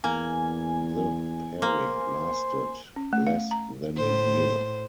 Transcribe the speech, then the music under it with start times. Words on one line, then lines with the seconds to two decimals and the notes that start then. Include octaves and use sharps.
The pairing lasted less than a year.
0.04 E2 A#3 G#5
1.62 A#3 C5
2.96 C#4
3.13 A3
3.27 F5
3.51 A#5
3.97 A2 C5